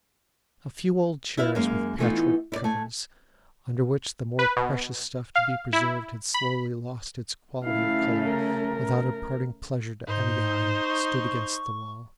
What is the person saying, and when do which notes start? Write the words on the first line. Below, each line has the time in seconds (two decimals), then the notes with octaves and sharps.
A few old chairs with patch-work covers, under which the more precious stuff to be preserved had slowly lost its quality of colour without imparting pleasure to any eye, stood against the wall.
1.37 E4 B4 E5 F5
1.55 F#2 G#3 A#3 F5
1.99 E3 G3 A3 B3 D#4 F4
2.52 E4 D5
2.64 A3 G#5
4.39 B4
4.57 B2
5.35 F5
5.73 E4
6.34 B5
7.63 C#3 A3 E4 F5
8.29 A#4
10.07 G#2 D#4 C5
10.81 C#6